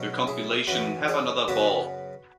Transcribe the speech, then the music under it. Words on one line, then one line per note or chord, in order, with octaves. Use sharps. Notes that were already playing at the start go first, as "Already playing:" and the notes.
The compilation Have Another Ball!
Already playing: B2 F#3 C#4
E4 G#4
F#2 E3 C#4 F#4 B4
G#4 C#5
F#2 C#3 F#3 B3 F#4 B4